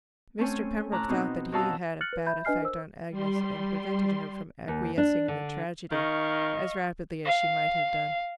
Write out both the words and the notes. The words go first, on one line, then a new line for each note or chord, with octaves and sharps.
Mr. Pembroke thought that he had a bad effect on Agnes, and prevented her from acquiescing in the tragedy as rapidly as she might have done.
A3 C4 C#4 G#5
A2 A#5 D6 E6 F#6
B2 C4 D#4
F#2 D#4 F#4 F5 A5 E6
F6 F#6 A6 C#7 F#7
B4
E5 B5 G6
D4 B4 D#5 G#5 F6 C7
A#4 C5 E6
G3 C6
D#2
D4
D3
D#3 D#5 F5 C#6
F5